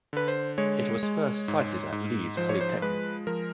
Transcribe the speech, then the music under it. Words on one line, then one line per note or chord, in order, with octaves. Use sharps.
It was first sited at Leeds Polytechnic.
D3 B4
C5
G#3 C#5
G#3
G#2
G#2
F3 C5
C#5
C5
G#3 B4
F3 A#4